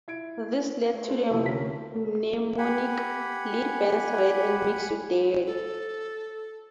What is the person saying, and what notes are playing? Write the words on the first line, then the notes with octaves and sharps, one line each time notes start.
This led to the mnemonic, Lead burns red and makes you dead.
E4 G#6 D7
A3
A4 B4 C5
C2 F2 E3 E4 E6
D2 C3 C#4 A#4 B6
G4 F#5 G#5 B5
A4